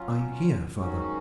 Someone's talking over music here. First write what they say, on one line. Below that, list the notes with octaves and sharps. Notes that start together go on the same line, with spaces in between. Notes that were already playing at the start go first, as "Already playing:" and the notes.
"I hear, father."
Already playing: F#3 C#4 F4
G#2 D#3 F#3 C#4 F#4